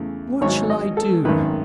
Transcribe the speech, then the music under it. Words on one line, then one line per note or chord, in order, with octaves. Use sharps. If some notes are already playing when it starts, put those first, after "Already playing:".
"What shall I do?"
Already playing: E2 C#3 A3
G#1 G#2 F#3 C#5
D#5
A4
G#1 F#2 D#3 B4